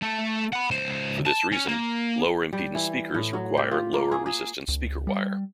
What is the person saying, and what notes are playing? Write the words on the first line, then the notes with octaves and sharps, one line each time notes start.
For this reason, lower impedance speakers require lower resistance speaker wire.
A3 A4
F#5 B5
C#2 C5
A5
C#4
A#3
G3
E3
A2
F#3
G4
F4
A#3
G#4
G#4
C#2
G3